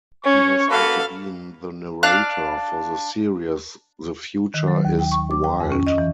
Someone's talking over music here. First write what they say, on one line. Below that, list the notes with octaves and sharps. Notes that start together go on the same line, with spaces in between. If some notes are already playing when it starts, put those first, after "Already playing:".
He has also been the narrator for the series "The Future Is Wild".
C#4 C#5 C#6
A#3 F#4 A4 B4 F5
D4 F5 F#6
D#3
F#3
D#2
G5
C#6
D6
G5
F2
C#4
D#5
E3